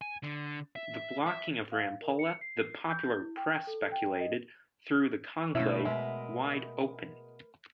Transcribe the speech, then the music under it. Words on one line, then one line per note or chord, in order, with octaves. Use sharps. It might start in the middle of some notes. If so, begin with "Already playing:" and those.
The blocking of Rampolla, the popular press speculated, threw the conclave wide open.
G#5
D3
E5
E5
F5
A#4
C#7
C7
G6
E4
G5
A4
G5
D#5
B2 D3 A3 A#3 C#4 E4 C#5
G#3 A#4 B4 E5